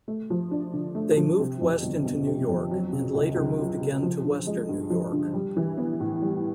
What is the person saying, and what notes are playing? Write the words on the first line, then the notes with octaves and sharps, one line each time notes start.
They moved west into New York, and later moved again to western New York.
A3
F3
D4
D3
A3
F3
C3
F2
G1
G1
C3
F2
F#3
C#3
C#2
C#2
F#3
C#3
F3
D3
G#3
G2
F3
D3
G3
E3
B3
A2
G3